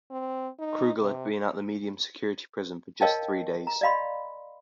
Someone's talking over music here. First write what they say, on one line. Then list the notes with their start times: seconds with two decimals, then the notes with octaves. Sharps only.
Krugel had been at the medium security prison for just three days.
0.11 C4
0.59 D#4
1.00 C3
3.01 A#4 C#5 D#5 F5 G5 A5
3.67 A#5
3.81 D5 D#5 F5 B5 C6